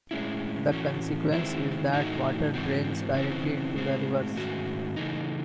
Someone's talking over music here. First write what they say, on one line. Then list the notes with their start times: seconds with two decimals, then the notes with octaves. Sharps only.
The consequence is that water drains directly into the rivers.
0.11 A2 G#3 C#4 E4
0.71 A2 E3 A3 C#4 F#4
1.32 D#3 G#3 C4 E4
1.93 A2 E3 A3 D#4 F#4
2.54 G#2 E3 C4 F#4
3.14 C#3 E3 C4
3.76 A2 G#3 C4
4.36 G#2 D#3 A3 C#4 F#4
4.96 C#3 E3 A3 D#4